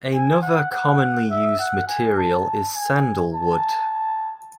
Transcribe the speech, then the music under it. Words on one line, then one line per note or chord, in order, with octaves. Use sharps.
Another commonly used material is sandalwood.
G#5
F#5
F#5
E5
F#5
G#5
A5
G#5
A5